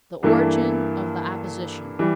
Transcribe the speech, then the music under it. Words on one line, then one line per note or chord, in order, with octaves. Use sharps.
The Origin of the Opposition.
G2 E3 A#3 E4 A4
E3 G3